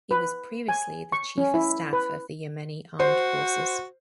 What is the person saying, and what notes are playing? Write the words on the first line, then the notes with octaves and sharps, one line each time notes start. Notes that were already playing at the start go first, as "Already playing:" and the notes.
He was previously the chief of staff of the Yemeni Armed Forces.
B4
G#5
C#6
C#4
E4
B4
F#4 C5